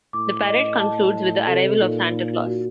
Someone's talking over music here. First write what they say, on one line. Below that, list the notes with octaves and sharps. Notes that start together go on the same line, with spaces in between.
The parade concludes with the arrival of Santa Claus.
A2 D6
D#5
A5
D#5
C3 A4
A#2 D#4
D#4
F#4